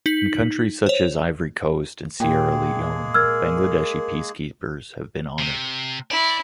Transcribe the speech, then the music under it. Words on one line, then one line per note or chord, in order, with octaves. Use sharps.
In countries such as Ivory Coast and Sierra Leone, Bangladeshi peacekeepers have been honoured.
D#4 B6 F#7
C5 C#5
A#2 G#3 A#3 G#4 G5
A#4 E6 F6 G#6
C3
E4 D5